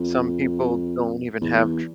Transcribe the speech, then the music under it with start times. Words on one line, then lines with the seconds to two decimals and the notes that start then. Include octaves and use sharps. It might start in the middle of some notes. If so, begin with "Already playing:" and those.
Some people don't even have dr
Already playing: F2
1.42 E2